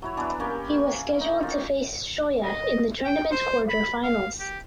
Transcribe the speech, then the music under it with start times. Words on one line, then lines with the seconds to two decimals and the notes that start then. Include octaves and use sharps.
He was scheduled to face Shoya in the tournament quarterfinals.
0.02 F#3 E4 C#5
0.17 E3 B3 D4
0.40 A#3 C#4 G4
0.68 G#5
1.21 D#4
1.43 C#4 F4
2.43 D#5
3.05 G5
3.31 C5
3.69 B5
4.04 F5
4.40 G4